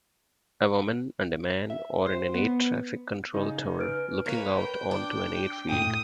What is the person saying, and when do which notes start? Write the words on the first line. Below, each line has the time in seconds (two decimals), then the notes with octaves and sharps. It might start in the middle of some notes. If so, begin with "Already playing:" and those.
A woman and a man are in an airtraffic control tower looking out onto an airfield.
1.70 E5
2.06 C5
2.34 B3
3.34 C#3 D#4
3.78 B4 F6 D7
4.26 A#3 B4 C#5
4.57 G5
4.91 D4
5.69 A2 G5 D#6